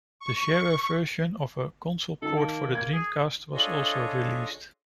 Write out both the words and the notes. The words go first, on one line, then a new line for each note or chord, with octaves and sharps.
The shareware version of a console port for the Dreamcast was also released.
C#6
D#3 A4 A5
A#3
G#6
G#4
D4 F4 G#4 A4 C#5 D#5